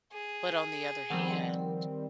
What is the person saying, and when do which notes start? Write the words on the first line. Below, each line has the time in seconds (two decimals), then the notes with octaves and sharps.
But on the other hand,
0.12 G#4
1.10 D#3 F3 G3 C4 F#5